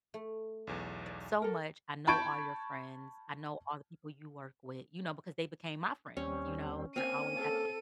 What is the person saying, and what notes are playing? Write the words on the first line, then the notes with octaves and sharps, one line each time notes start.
so much, I know all your friends, I know all the people you work with," you know, because they became my friends, you know, they're always at the event.
A3
B1 E2
D5
A4 A#4
A5 B5 C#6 G6 G#6 D7
D#2 G3 C4 C#4
A#3 C4 C#4 F5 G#5 D#7
A4